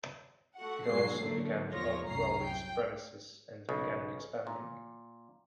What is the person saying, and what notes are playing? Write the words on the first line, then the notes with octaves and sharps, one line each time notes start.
It also began to outgrow its premises and began expanding.
A3 F#4 F#5
F2 G#2 B2 F#3 G#3 C7
D3 F#3 A3 A#3
E2 F3 F4 C#5 A#6
C2 F#2 A2 C#4 A#5 C7
G5
B1 C#3
A#2